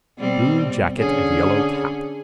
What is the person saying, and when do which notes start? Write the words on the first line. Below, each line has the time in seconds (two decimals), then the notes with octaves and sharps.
Blue jacket and yellow cap.
0.18 B2 G3 C4
0.98 D3 C#4 G#4